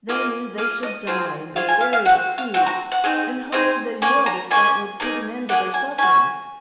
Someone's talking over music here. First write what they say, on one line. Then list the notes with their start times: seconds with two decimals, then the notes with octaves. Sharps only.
They knew they should die and be buried at sea, and hoped they would if that would put an end to their sufferings.
0.09 A#3 F4 G#4 D#5
0.58 A#3 F4 G#4 F5
0.83 D#5
1.07 C4 F4 G#4 C5
1.56 C4 F4 G#4 F5
1.69 G#5
1.81 F5
1.93 F5
2.05 F#4 F#5
2.09 C4
2.38 F5
2.54 C4 F#4 F#5
2.67 A#5
2.92 F#5
3.04 C4 D#4 G#4
3.52 C4 D#4 G#4 C5
4.02 A#3 C#4 G#4 G#5
4.26 A#5
4.51 A#3 C#4 G#4 G#5
5.00 A#3 D#4 G#4
5.49 A#3 D#4 G#4 F#5
5.74 G#5
5.98 C#4 F#4 G#5